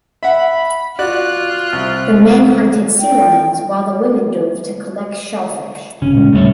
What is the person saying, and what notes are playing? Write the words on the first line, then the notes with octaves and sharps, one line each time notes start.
The men hunted sea lions while the women dove to collect shellfish.
E5 F#5 B5
F4 F#4 D5 F#6
C2
G5
G1 C#3 C#4
A#2 G#3
D#1 C#3 G3 A3 C#5 E5